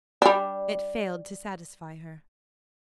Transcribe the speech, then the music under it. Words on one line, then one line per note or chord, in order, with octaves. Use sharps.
It failed to satisfy her.
G3 D4